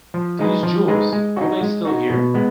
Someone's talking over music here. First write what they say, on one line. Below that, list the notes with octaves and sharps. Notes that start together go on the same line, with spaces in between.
These jewels — are they still here?
F3
G#3 D#4 G#4 B4
F3
G#3 D#4 G#4 B4
G#3
D#4 F#4
G#3
D#4 F#4
B2
G#3 B3